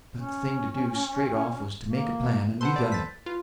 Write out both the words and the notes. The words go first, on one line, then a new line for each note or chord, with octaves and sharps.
But the thing to do, straight off, was to make a plan; and we done it.
C#4
A#3
A4 B4 C5 F#5 A5 C6
D5
A6 B6
F4 B4